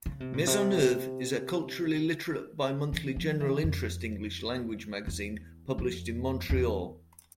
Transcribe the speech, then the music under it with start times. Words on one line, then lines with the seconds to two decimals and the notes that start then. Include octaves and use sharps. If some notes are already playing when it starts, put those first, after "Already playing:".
"Maisonneuve" is a culturally literate bimonthly general-interest English-language magazine published in Montreal.
0.06 C#3
0.20 C3
0.33 A#2
0.47 C3
2.92 E3
3.16 F3
3.40 E3
3.63 F2
5.07 E2
5.78 F2
6.49 E2